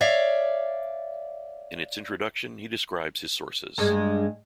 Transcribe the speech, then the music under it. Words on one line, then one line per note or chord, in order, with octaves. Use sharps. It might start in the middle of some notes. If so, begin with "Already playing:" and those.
In its introduction he describes his sources.
C#5 D5 E5 F5
G2 G#3